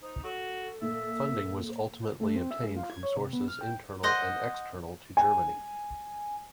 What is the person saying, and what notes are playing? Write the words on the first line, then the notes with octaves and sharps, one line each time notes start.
Funding was ultimately obtained from sources internal and external to Germany.
D#4 C5
F#4 A4
A#2 E5
A3
C4
E5
G#3
F4
G#6
C#5
C3
B3
F6
G5
C5 D#5 F#5
G#5